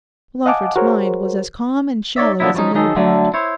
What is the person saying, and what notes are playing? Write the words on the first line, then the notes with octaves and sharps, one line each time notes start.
Lawford's mind was as calm and shallow as a millpond.
D#5 F5 F#5 G#5 A5 D6
F#4 G#4 A#4 C5 C#5
D#4 C#5 D5 E5
D3 F3 A#3 B3 D#4 E4
F3 F#3 A#3 C#4 D#4
D#3 F#3 D#4 G#4 A4
D3 F#3 A3
E4 C5 C#5